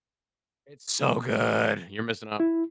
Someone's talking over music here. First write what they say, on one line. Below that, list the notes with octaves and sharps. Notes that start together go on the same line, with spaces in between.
It's so good. You're missing out.
E4